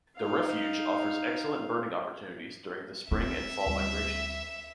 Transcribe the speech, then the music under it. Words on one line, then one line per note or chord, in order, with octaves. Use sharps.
The refuge offers excellent birding opportunities during the spring and fall migrations.
D#4 F5
C4 E5
D2 G3